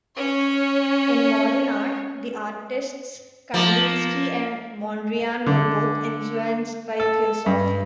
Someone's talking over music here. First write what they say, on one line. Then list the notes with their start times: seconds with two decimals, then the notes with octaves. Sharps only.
In Modern Art, the artists Kandinsky and Mondriaan were both influenced by theosophy.
0.16 C#4 C#5
3.54 F3 A#3
5.47 D3
7.00 A4
7.46 G2